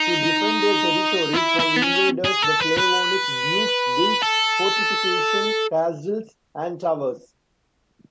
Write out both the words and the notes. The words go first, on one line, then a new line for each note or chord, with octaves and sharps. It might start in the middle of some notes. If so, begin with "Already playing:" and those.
To defend their territories from invaders the Slavonic dukes built fortification castles and towers.
Already playing: D#4
E4
E4
B3
C#4
G#4
A4
B4
B4
A4